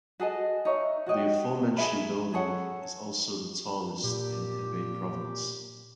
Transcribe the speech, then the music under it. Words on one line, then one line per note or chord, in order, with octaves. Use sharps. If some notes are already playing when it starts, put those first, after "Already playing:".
The aforementioned building is also the tallest in Hebei province.
F#4 G#4 A4 D#5
D#4 C#5 E5
F#4 C#5 D#5 G5
G#4 E5 B5
G#4 A4 C#5 F#5
A#2 G4